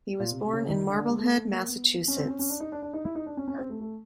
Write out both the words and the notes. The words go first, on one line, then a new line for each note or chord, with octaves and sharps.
He was born in Marblehead, Massachusetts.
A#2
C3
C3
C#3
D#3
D3
D3
G#3
A3
A#3
B3
C#4
C4
C#4
C#4
D4
D#4
D4
D4
D#4
E4
D#4
D4
C#4
C#4
C4
A3
A3